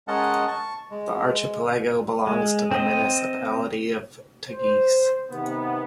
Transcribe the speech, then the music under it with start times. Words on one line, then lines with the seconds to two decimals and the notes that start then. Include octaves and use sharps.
The archipelago belongs to the municipality of Teguise.
0.08 G#3 C#4 A#4 D#5 F#5 A5
0.48 A5 C#6
0.91 G#3
2.27 G#3
2.71 C4 D#5
4.49 C5
5.30 C3 D#3 B3